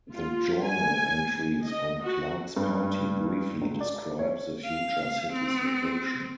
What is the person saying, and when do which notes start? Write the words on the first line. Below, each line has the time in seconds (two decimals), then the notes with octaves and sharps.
The journal entries from Clark's party briefly describe the future city's location.
0.11 F4
0.64 G#5
1.67 D#5
2.01 F#4
2.56 G2
3.62 C#2
3.81 D5
4.19 C#5
4.64 F5
5.33 C4